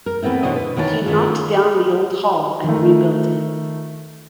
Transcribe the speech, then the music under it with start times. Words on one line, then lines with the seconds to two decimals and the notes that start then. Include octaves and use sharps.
He knocked down the old hall and rebuilt it.
0.06 A#4
0.22 E3 A3 B3 C4 E4
0.43 D#2 B2 D3 C5 C#5 D#5
0.56 B4
0.76 D#3 E3 C#5 G5 A5
1.06 D#3 A3 C#4 F4
2.64 D#3 A3